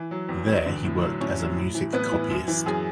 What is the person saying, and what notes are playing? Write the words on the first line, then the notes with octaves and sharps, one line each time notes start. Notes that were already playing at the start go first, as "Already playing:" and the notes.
There he worked hard as a music copyist.
Already playing: E3
F#3
E2
E2
D3
A2
F#3
A2 C#4 C#5
F#3
A2
E3
A2 B3 B4
E3
F#2
E3
F#2 G#4